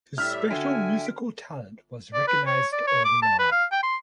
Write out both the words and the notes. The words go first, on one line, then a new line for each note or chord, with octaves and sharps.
His special musical talent was recognized early on.
A2 G3 E5 F6
D3 F#4 E5 G5 G#5
D5
B4
C#5
D5
C#5
D6
A5
B4
F5
G5
C6